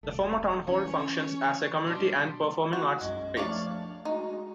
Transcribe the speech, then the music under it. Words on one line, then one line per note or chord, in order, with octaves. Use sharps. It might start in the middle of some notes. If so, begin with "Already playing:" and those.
The former town hall functions as a community and performing arts space.
E1 C2 A3
E3 C#4 C#5
B2 G3 D4 C6
F#4 F#6
B1 F#2 G#3
F3 A3 D4 C#5 D5 F5
G#3 D#4 F#4